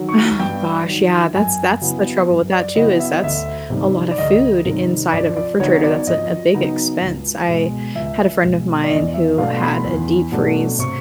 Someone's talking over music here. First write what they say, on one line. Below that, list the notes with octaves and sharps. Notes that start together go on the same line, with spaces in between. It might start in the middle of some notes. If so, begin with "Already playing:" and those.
Oh, gosh, yeah, that's that's the trouble with that, too, is that's a lot of food inside of a refrigerator, that's a a big expense, I had a friend of mine who had a deep freeze,
Already playing: D#3 F#3
C#6
G2 G5
D#3 F#3
F#2 G#5
C#3 F#3 B3 E4
F#2
D5
C#3 F#3 B3 E4 D#5
E5
D#5
D2 E5
C3 D#3 G3
D5
D2 D#5
C3 D#3 G3
F2 D5
D5
C#3 F#3 B3 D#4 C#5
C#5
D5
F2 D#5
C#3 F#3 B3 D#4
C#2
B2 G#3
C#2 E5
B2 G#3
D5
E2 D#5
E5
B2 F#3 A3 D4 F5
C6
B5
E2
B2 F#3 A3 D4
C3 C#6